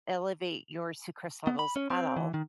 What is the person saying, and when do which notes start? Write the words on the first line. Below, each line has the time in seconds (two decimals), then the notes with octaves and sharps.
elevate your sucrose levels at all.
1.47 B3
1.59 B5
1.76 C#4
1.90 C4
2.16 E3
2.34 D#3